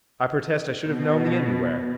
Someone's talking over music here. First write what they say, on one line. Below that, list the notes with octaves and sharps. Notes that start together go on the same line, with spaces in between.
I protest I should have known thee anywhere.
B2